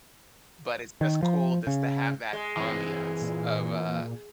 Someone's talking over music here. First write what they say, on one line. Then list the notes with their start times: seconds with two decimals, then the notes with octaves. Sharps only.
but, it's just cool just to have that ambiance of, uh,
1.01 D#3
1.23 F3
1.67 C#3
2.33 G#3
2.57 E3 C4
3.22 A#2